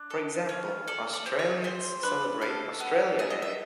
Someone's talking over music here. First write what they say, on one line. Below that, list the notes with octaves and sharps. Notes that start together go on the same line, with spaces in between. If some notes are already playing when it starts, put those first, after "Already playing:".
For example, Australians celebrate Australia Day.
Already playing: D4
A4
C#4
A4 D5
D5
C4
C#5
G#4 C5
D4 B4
A4 F5
B3
G#4 E5
D#5
E5